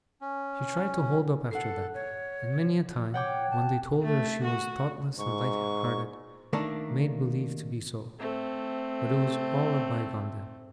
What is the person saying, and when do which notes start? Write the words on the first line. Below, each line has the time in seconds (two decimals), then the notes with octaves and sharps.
'She tried to hold up after that; and many a time, when they told her she was thoughtless and light-hearted, made believe to be so; but it was all a bygone then.
0.21 C#4
1.51 A4 F#5 C7
1.94 C#5
3.14 C#5 F#5 G5 D6
3.51 A5
4.03 A3
4.44 F#4
5.19 G#2 C#6
6.53 D#3 A3 A#3 D4
8.19 A3 C4